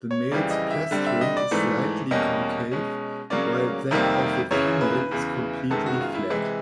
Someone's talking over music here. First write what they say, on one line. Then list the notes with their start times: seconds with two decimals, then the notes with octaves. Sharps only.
The male's plastron is slightly concave, while that of the female is completely flat.
0.11 C#5
0.32 F2 C#3 E3 G3 D5
0.51 D#5
0.71 E5
0.91 D3 G3 C4
1.07 E5
1.21 D#5
1.37 D5
1.51 G#2 E3 A3
2.11 E2 B2 G3 A#3 C#4 D#5
2.71 B2 G#3 C#4
3.30 C#3 F#3 A#3 C#4 D5
3.91 F2 C3 D#3 G3 A#3
4.51 F#2 C#3 E3 C#5
4.81 B4
5.11 E2 C#3 E3
5.70 F#2 D#3 G#3 B3 A4
5.86 F#4
6.01 F4
6.15 E4
6.30 C3 E3 G#3